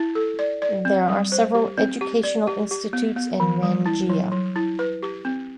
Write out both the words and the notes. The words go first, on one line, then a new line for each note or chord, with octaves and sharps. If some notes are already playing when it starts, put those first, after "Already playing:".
There are several educational institutes in Rangiya.
Already playing: E4
A4
D5
D5
C4
G3
C5
G4
C4
G4
D5
G4
G4
B3
B3
E3
G3
E4
F#3
F#3
E4
B4
G4
C4